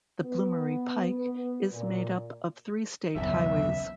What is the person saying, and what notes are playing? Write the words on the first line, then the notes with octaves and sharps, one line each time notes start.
The Bloomery Pike is made up of three state highways.
B3
B3
A#2
F#1 B1 E2 E5